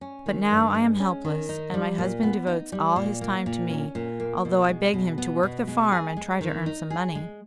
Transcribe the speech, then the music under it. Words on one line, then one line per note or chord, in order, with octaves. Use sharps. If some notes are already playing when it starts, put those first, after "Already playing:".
But now I am helpless, and my husband devotes all his time to me, although I beg him to work the farm and try to earn some money.
C#4
D#3
G2
G#3
C#4
D#3
D#4
G3
A#2
B3
D#4
G3
A#2
A#3
A#2
C#4
A#2
A#3
B2
G#3
B2
B3
B2
G#3
G#4
G#3
D#3
D#4
G#4
G#3